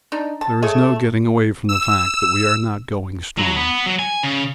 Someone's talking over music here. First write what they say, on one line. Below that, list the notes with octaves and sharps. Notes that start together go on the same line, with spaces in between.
There is no getting away from the fact that we are not going strong.
D4 D#4
A5
A3 G#4 C#5
E6
F#3
B3
F#3
G#5
C#3